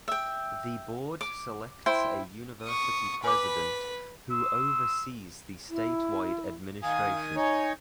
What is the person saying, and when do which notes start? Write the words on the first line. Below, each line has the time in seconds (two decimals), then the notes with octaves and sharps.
The Board selects a University President who oversees the statewide administration.
0.08 E5 G5
1.21 D6
1.86 E4 C5 G5 C6
2.63 C#6 D#6
3.24 B4 G#5 B5 D6
4.31 C6 D#6 E6
5.69 E4
6.83 D#3 F5 G#5 D#6
7.36 D#4 C#5 G#5